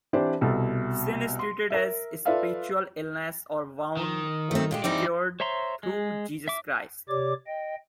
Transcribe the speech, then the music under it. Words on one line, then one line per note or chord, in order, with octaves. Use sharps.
Sin is treated as a spiritual illness, or wound, only cured through Jesus Christ.
E3 C4 D4 G4 C5 D5
C2 B2 A4
C6
A#4 E5
F4 A4 B4 D5 E5 F5
D#3
A3 C4
A#2 G#3 G4
E3 G3 C4 D#4 D5
C5 C#5 E5 A#5 C6
G#3
E5 D6
C3 G4 C#5 D5 D6
D#5 G5